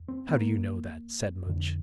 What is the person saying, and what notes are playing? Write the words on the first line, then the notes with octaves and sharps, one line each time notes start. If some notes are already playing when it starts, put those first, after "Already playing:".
"How do you know that?" said Much.
Already playing: E2
C4
B3
A#3
F2 D3